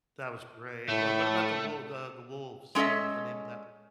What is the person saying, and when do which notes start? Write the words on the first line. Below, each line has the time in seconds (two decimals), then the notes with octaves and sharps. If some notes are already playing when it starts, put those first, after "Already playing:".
That was great. Wha what about The Wolv The The Wolves, um, the name of that?
0.89 A2 A3
2.75 G#3 C#4 A4 D#5 E5